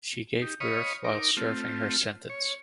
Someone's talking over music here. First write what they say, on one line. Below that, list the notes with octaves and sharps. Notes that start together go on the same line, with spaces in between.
She gave birth while serving her sentence.
D#4 G4
C#5 D#5 F5 B5 C#6 D#6
D#4 A#4 D6
A3 C4 F4
C#5